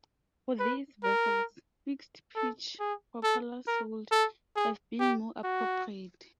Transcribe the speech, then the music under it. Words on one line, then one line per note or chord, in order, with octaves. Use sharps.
For these vessels, fixed-pitch propellers would have been more appropriate.
B4
A#4
A4
G#4
A4
A#4
A4
G#4
G4
F#4